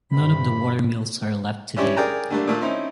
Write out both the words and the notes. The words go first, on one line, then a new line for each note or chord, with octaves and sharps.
None of the watermills are left today.
G2 C3 B5
C#4 D4 E4 G4 C#5
G#4 A#4 D5 G5 G#5 A#5
D3 G3 A3 A#3 D4
A#2 A3 A#3
C4 C#4 D#4 E4